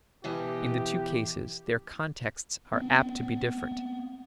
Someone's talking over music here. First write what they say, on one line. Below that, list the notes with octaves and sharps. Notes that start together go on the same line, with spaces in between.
In the two cases their contexts are apt to be different.
B2 E3 G4 D#5
B3 C4